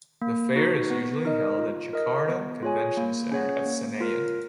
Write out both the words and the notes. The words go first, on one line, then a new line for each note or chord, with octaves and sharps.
The fair is usually held at Jakarta Convention Center at Senayan.
A#3
D#4 F#4 B4
B3
D#4 A#4 D#5
F4
A#4 D#5
B3
F4 G#4 C#5 G#5
A#3
C#4 G#4 C#5 F#5
A#3
F4 A#4